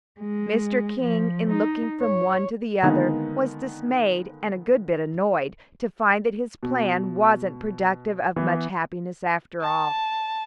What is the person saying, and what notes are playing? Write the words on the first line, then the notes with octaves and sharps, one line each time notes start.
Mr. King, in looking from one to the other, was dismayed and a good bit annoyed to find that his plan wasn't productive of much happiness after all.
G#3
F3
D#4
C#5
D3 D#3 G#3 A#3 B3 D#4
B2
E3 B3
A5